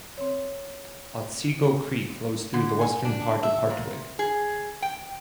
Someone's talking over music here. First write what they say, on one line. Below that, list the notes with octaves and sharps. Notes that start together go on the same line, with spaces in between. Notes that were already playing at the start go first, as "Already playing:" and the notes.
Otsego Creek flows through the western part of Hartwick.
C4 C#5
D3
G#5
D4
E5
A#2
G#4
G5